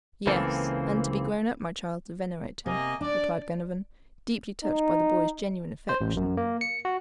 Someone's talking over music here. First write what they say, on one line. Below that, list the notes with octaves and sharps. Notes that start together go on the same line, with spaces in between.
"Yes, and to be grown up, my child, to venerate him," replied Glenarvan, deeply touched by the boy's genuine affection.
C#2 C#3 E3 A#3 C4 A4
C3 A#3 D#5 G#5
D4 D5
D#4
C5
A1
F#2
A#3
C#7
F#4